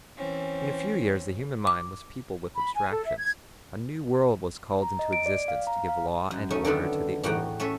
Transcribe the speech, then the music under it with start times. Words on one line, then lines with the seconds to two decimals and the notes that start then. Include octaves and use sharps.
In a few years the human mind was peopled with abstractions; a new world was called into existence to give law and order to the old.
0.18 E3 C4 C#4
1.67 D6
2.55 B5
2.75 G#5
2.90 A4
3.05 E5
3.18 G#6
4.82 A#5
4.99 D#5
5.13 D7
5.26 D5
5.48 F5
5.67 A#5
5.89 F5
6.31 F#2
6.50 A3 C#4 D#4
6.65 D3 D#3 B3 A4
7.23 E2 A2 F#4 F#5 G5 A#5
7.60 A3 C#4 C#5 E5